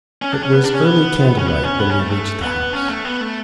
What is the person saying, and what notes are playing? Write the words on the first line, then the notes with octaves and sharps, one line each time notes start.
It was early candle-light when we reached the house.
C#4
D4
C#4
B3
D4
C#4
B3
C#4
B3
C#4
B3
C#4
A3
A3
B3
C#4
A3
B3
A3